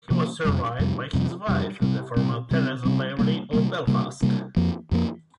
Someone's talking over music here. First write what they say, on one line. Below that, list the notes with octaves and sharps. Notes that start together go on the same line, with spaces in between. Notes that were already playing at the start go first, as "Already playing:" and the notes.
He was survived by his wife, the former Teresa Lavery of Belfast.
C3 F3 A#3
F2 C3 G3
F2 C3 G3
F2 C3 G3
F2 C3 G3
C3 G3 C4
C3 G3 C4
C3 G3 C4
C3 G3 C4
C3 G3 A#3
C3 G3 A#3
C3 G3 A#3
C3 G3 A#3
F2 F3 A#3
F2 F3 A#3